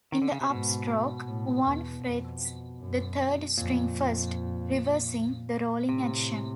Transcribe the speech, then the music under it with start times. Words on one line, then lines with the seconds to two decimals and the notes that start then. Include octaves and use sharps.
In the upstroke, one frets the third string first, reversing the rolling action.
0.12 D#3
0.22 D3
0.32 C#3
0.41 C3
0.50 G#2 B2
1.27 A2
1.65 E2
2.04 F2
2.80 F#2
3.58 F2 A#2
5.88 A2 C3